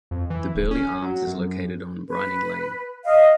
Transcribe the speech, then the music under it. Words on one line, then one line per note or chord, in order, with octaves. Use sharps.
The Birley Arms is located on Bryning Lane.
F2
E3
D1
C#4
F#3
F#2
B4
D#5 F5